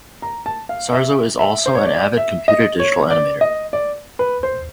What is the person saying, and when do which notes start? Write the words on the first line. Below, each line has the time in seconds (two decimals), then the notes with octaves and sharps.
Sarzo is also an avid computer digital animator.
0.22 A#5
0.46 A5
0.69 F5
0.93 E5
1.39 E5
1.66 C5
1.75 C#5
1.86 D5
2.17 E5
2.48 D#5
2.80 C#5
3.11 D5
3.41 D#5
3.73 D5
4.19 B4
4.43 C5